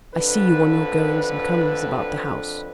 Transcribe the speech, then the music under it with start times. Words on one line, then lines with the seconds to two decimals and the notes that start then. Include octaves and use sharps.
I see you on your goings and comings about the house.
0.15 F2 D3 B4